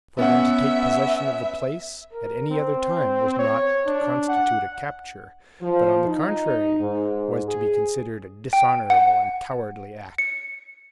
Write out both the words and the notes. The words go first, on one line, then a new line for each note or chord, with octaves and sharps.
For them to take possession of the place at any other time was not to constitute a capture, but on the contrary was to be considered a dishonorable and cowardly act.
B3 C#4 E5 F#5
A#4
C4
C#5
D4
F#5
F3
D#4
G#2
G#4
G5
F#5
C#7